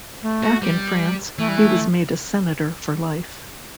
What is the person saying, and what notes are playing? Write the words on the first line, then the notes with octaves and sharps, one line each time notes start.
Back in France, he was made a senator for life.
A3
F#4
G3
E3 A3
G3
A3